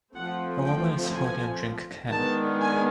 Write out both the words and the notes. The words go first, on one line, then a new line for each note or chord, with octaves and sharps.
A woman is holding a drink can.
F3 A3 C4 F#5
G5
G#5
D#3 G#3 B3 D4 A5
G#5